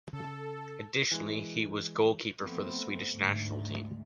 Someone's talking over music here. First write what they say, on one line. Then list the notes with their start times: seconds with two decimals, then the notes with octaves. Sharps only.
Additionally, he was goalkeeper for the Swedish national team.
0.13 C#3 A4
1.11 E3 G#3
2.40 F3 A3 B3 C4
3.14 D2 G#2